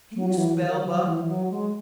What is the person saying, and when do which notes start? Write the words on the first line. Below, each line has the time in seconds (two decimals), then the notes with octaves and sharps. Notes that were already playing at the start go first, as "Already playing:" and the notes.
"Can you spell, Buck?"
0.15 F#3
0.30 F#3
0.38 E3
0.60 D#3
0.83 F#3
1.05 E3
1.27 F#3
1.50 G#3